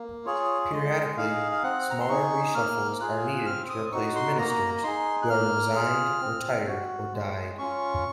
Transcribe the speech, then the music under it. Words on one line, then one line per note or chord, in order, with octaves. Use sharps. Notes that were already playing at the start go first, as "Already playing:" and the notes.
Periodically, smaller reshuffles are needed to replace ministers who have resigned, retired or died.
Already playing: A#3
F4 G#4 C#5
G#3 D#5
D#4 G#4 F5
F5
C4 F#5
A#5
C6
D#4 G#4 C#6
A#3 F6
F4 G#4 F#6
C4 F6
D#6
D#4 F#4 C#6
C6
A#3 A#5
D#4 G#4 C6
F#6
A#3 F6
F4 G#4
C4
F#4
G#3
C#4 F4 C#6